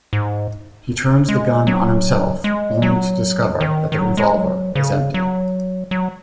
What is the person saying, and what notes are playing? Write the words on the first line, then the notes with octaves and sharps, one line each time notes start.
He turns the gun on himself, only to discover that the revolver is empty.
G#2
G#3
F#3
G#3
F#3
D#3
D#3
F#3
G#3
F#3
C#3
F#3
F#3